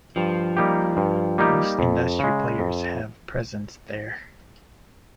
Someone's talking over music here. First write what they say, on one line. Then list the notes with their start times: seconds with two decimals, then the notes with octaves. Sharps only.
Most industry players have presence there.
0.16 G2 F3
0.57 G3 A#3 D#4 G4
0.97 G2
1.38 G3 A#3 D#4 G4
1.79 F2
2.19 C#3 G#3
2.59 F2